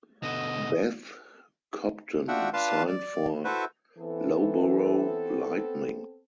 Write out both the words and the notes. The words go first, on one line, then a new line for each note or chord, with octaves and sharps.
Beth Cobden signed for Loughborough Lightning.
B2 D3 D#5
D4 F4 F#4 E5 F#5 G5
D4 F4 B4 F5 A5 C6
D5
E4 F#4 A4 B4 C5 E5
E3 B3 C4 A4